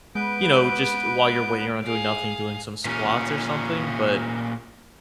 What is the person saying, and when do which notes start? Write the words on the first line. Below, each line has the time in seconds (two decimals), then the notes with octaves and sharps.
you know, just while you're waiting around doing nothing, doing some squats or something, but
0.15 G#3 B3 B4 G6 D7
1.84 G#4 F5
2.85 A#2 C#4